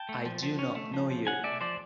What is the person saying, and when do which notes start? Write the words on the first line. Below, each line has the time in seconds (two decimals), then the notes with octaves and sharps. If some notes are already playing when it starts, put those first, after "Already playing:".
I do not know you.
Already playing: G5 A5
0.09 A3
0.26 F3
0.43 F3
0.59 C#4
0.76 A3
0.94 F3
1.10 F3
1.27 C#4 F#5 G#5
1.43 A3 D5 E5
1.61 F3 C5 D5